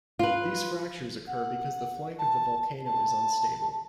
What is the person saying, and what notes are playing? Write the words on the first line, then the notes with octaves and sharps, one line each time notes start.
These fractures occur because the flank of the volcano is unstable.
F4 B4
F#5
A5
A5